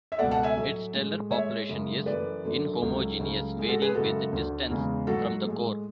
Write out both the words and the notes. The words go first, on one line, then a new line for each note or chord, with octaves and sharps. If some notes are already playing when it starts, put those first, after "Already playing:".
Its stellar population is inhomogeneous, varying with distance from the core.
E5
C#2 B2 A3 D5 F#5
F#5 A5
E5 G#5
A2 F#3 A3
A2 G#3
A2 G#3 C#5 E5
F#2 C#3 G#3
F#2 E3 A3 B4 D5
F#2 D3 F#3 A3
C#2 C#3 F#3 A3
C#2 C#3 F#3 A3
A2 G#3
F#4 A4
G#4 B4
F#2 C#3 G#3 F#4 A4
D2 D3 A3
E2 C#3 E3 G#3
G#2 F#3 A3 F#4 A4
A2 G#3